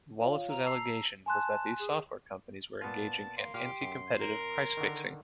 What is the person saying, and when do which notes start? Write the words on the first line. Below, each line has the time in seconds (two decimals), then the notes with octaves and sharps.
Wallace's allegation was that these software companies were engaging in anticompetitive price fixing.
0.21 F4 C#5 F5
0.49 A#5
0.65 A5 E6 C7
1.26 G#5 A5 C6 F#6
1.79 G#4
2.82 A#2 B3 F4 A5
3.37 A#3 C6
3.54 A#2 G4 F5
3.81 F#2
4.21 A#4
4.77 D3 D#3